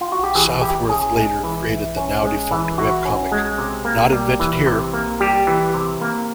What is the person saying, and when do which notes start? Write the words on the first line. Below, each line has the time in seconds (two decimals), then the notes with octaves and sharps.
Southworth later created the now-defunct webcomic "Not Invented Here".
0.01 F4
0.12 F#4
0.23 G4
0.35 E3 G#4
0.62 E4 G4
0.89 C#4 G#4
1.17 G#3
1.44 E3
1.70 E4
1.96 C#4
2.23 G#3
2.51 E3
2.78 E4 F#4
3.05 C#4
3.32 G#3
3.58 C3
3.85 A#3
4.12 G3
4.40 E3
4.66 C3
4.94 A#3
5.20 G3 G4
5.47 E3
5.74 C3
6.01 A#3